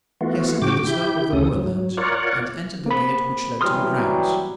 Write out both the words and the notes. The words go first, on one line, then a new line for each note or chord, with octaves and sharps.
He ascended the slope of the moorland, and entered the gate which led to the grounds.
E3 A3 B3 F4 F#4
A2 C#3 F#4 G5 D6
E4 G4 G6
D2 C#3 C#4 A4 D#6
F#3
F4 A#4 C#5 D5 F#5
A#3 C4 B5
E3 F#3 G3 C6 D#6 F6